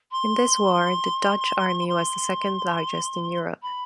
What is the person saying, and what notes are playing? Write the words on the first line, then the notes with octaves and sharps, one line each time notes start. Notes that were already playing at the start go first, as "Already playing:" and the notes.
In this war the Dutch army was the second largest in Europe.
C6
C6
B5